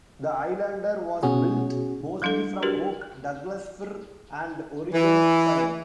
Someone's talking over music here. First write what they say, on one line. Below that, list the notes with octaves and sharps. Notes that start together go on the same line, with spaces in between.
The "Islander" was built mostly from oak, Douglas fir, and Oregon pine.
B2 C#4 F#4 G#4
F3 G3 D4 E4 A4
D4 F#4 G4 A#4 B4
E3